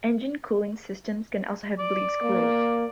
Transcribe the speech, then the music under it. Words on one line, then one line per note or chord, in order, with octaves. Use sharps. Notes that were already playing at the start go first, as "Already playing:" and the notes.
Engine cooling systems can also have bleed screws.
D5
A#3